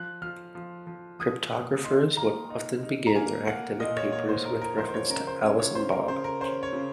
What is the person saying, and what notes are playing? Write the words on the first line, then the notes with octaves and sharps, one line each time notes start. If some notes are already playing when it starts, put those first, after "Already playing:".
Cryptographers would often begin their academic papers with reference to Alice and Bob.
Already playing: F3 F#6
F3 F6
F3
F3
F3 D#6
A#3
D#4 C6
A#3 A#5
D#4
D#4
A#5
A#3 G#5
A#3 F#5
A#2 D#5
C#5
A#3 C#5
C5
D#4 A#4
A#4
F3 C5
C5
C#5
C#3 A#4
C5
C#3 C#5
C#5
C#3 C5
A#4
C#3 C5
A#4
C#4 C5
C#5
C#3